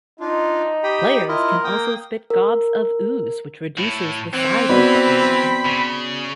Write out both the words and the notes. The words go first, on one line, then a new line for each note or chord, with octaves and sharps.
Players can also spit gobs of ooze, which reduces the size of the ooze.
D4 D#4 F4
G4 G5 B5 D#6
E4 F4 A#4 D#5
A#3 G5 D#6
A#4
A2
E3 C4
B3 F#4 D5 B5
C#3